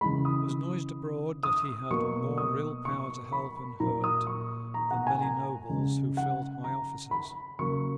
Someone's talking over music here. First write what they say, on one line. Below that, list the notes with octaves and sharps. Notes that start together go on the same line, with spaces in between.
It was noised abroad that he had more real power to help and hurt than many nobles who filled high offices.
C#3 E3 G#3 B5
D#6
D#6
B2 F#3 A#3 C#6
D#6
C#6
B5
A#2 F#3 A#3 A#5
D#6
C#6
A#5
F#5
G#5
A#5
C#3 G#3
F#5
A#5
B5
C#3 F#3 A#3 C#6